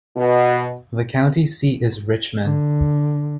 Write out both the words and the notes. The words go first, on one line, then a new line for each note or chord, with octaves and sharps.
The county seat is Richmond.
B2
D3